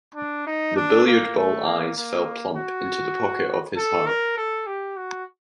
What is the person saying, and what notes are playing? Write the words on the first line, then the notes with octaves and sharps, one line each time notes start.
The billiard-ball eyes fell plump into the pocket of his heart.
D4
D#4
D4
A#3
A3
A#3
A#3
F#4
A4
A#4
A4
G4
F#4